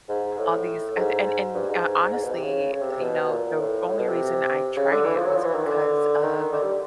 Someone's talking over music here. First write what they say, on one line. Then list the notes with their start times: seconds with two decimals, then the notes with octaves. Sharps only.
all these oth and and, uh honestly, you know, the only reason I tried it was because of
0.09 G#2
0.38 A2
0.96 G#2
1.55 G2
1.70 G#2
2.13 G#2
2.24 B2
2.33 C3
2.42 C#3
2.72 C#3
2.81 C3
2.91 C3
3.02 B2
3.31 A#2
3.59 A2
3.88 A2
3.98 B2
4.08 C3
4.77 C#3
4.91 D3
5.06 E3
5.16 F3
5.25 F#3
5.36 F3
5.44 E3
5.55 D#3
5.65 D3
6.23 D#3
6.53 D3
6.62 G3